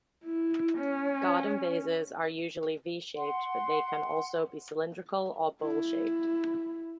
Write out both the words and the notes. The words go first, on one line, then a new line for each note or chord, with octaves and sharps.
Garden vases are usually V-shaped but they can also be cylindrical or bowl-shaped.
E4
C#4
F#5 C6
E4